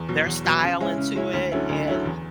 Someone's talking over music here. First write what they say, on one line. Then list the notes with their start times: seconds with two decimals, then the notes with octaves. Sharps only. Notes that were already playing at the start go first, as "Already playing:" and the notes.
their style into it, and,
Already playing: E2
0.08 B2 F#3
0.26 E2
0.45 B2 F#3
0.62 C#3
0.80 G#3 C#4 E4
0.98 C#3
1.16 G#3 C#4 E4
1.33 D2
1.52 D3 F#3 C#4 E4
1.69 D2
1.87 D3 F#3 C#4 E4
2.05 E2